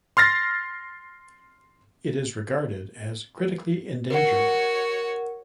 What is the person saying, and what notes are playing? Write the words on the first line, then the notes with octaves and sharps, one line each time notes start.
It is regarded as critically endangered.
C6 F6 A6 A#6
F#4 A#4 C#5 F#5